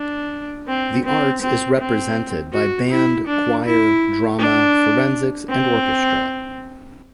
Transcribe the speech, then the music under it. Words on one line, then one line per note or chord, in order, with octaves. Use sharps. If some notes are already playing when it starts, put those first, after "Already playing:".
The arts is represented by Band, Choir, Drama, Forensics and Orchestra.
Already playing: D4
C4
C4
C4
C4
F#4
E4
D4
E4
D4
C4